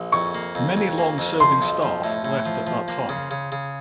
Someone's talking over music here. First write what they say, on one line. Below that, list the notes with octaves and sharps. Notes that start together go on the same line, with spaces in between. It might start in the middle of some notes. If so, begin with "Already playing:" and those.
Many long-serving staff left at that time.
Already playing: A#1
F2 C#6
A#3
F2
F2
A#3
F2
F3 C6
B1
F3
A2
A2
F3
F3
A#3
C#3
C#3
C#3